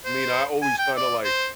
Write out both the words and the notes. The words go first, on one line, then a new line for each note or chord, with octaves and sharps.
I mean, I always kinda, like
C5
G#5
G5
D5
C5